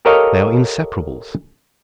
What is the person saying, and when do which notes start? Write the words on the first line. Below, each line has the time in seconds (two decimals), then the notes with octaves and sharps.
They are inseparables.
0.05 G4 A4 A#4 C#5 D#5 F5